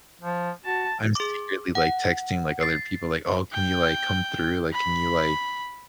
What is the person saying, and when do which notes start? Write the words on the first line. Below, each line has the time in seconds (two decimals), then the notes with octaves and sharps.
I'm secretly, like, texting, like, other people, like, oh, can you, like, come through? Like, can you, like,
0.21 F3
0.65 F#4 A5
1.15 G#4 D6
1.75 F#5
2.61 A6 C7
3.53 G5
4.73 B5